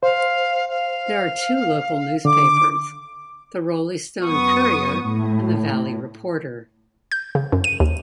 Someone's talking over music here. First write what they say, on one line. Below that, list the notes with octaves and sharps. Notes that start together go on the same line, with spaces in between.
There are two local newspapers: the Roleystone Courier and the Valley Reporter.
C5 F5
F5
D3 D6
F#2 B3 C#6 D#6
A2
G6
C#3
F#2
D#7
D#2